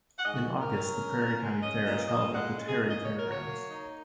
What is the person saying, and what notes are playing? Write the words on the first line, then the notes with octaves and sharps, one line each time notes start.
In August, the Prairie County Fair is held at the Terry Fairgrounds.
F#5
G#2 D#5
F#4
D#3
A#4
F#3
C#4
A#2
G#3
C#4 D#5
A#2
A#2 D#5
G#3 F#5
C#4
G#4
A#2
D#5
A#2 C#5
A#4
F#3
C#5
A#3
D#4